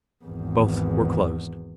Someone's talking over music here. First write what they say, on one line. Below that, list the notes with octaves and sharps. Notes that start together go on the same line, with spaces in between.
Both were closed.
G#1 E2